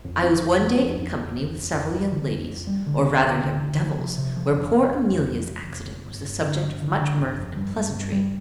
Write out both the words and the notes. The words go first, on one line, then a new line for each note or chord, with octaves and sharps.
I was one day in company with several young ladies, or rather young devils, where poor Amelia's accident was the subject of much mirth and pleasantry.
F2
C4
F2
F3
F2
F2
F2
F2
F2
F2
F2
D3
F2
F2
G3
D3
D2
D2
D2
D2
F3
C3
C3
F3
F2
F1
F1
F2
F1
F1
F1
F1
G1
G1
D3
G1
D3
D3
G1
F2
G2
G2
G2
G3